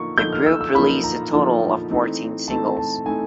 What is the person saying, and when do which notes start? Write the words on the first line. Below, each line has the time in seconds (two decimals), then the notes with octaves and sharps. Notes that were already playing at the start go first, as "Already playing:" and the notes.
The group released a total of fourteen singles.
Already playing: D3 F3 A#3 D#4 C#6
0.17 D3 F3 A#3 D#4 G6
0.33 F6
0.46 E6
0.61 E6
0.75 D3 F3 A#3 D#4 B5
1.03 A#5
1.33 D3 F3 A#3 D#4
1.90 E3 A3 C4 D#4
2.48 E3 A3 C4 D#4 A5
2.77 A5
3.06 E3 A3 C4 D#4 G#5